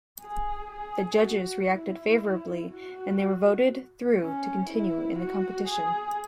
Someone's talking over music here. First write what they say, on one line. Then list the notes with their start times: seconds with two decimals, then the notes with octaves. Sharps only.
The judges reacted favourably and they were voted through to continue in the competition.
0.21 G#4
0.71 G#4
1.22 F#4
1.71 E4
2.71 F#4
4.20 C#4
4.69 E4
5.19 F#4
5.68 G#4